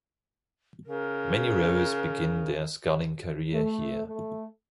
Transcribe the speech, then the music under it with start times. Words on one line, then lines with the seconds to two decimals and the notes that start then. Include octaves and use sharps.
Many rowers begin their sculling career here.
0.86 C#3 A#4
3.53 A3
4.06 A3